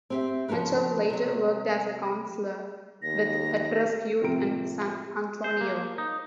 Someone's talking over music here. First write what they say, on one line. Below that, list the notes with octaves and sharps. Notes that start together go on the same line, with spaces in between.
Mitchell later worked as a counselor with at-risk youth in San Antonio.
C4 G4 E5
C#3 F3 F#4 A#4 B4
C3 F#3
D#2 A#6
A2 C3 F3 C4 A#4 D7
C5
A#3
D#4